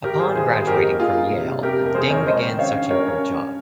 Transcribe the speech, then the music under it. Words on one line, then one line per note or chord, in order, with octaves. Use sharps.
Upon graduation from Yale, Deng began searching for a job.
G#1 G4 A#4
G3 G#4 C5
G#1 G#4 C5
A#3 G#4 C5
A#3 G4 A#4
D#4
A#3 F4 G#4
G2
C3
F1
F1 G4 A#4
F2
A#4
F2 G#4 C5
F2 A#4 C#5
G#3 C5 D#5
D#3
C#4 C#5 F5
G2
C#4 A#4 C#5
C#4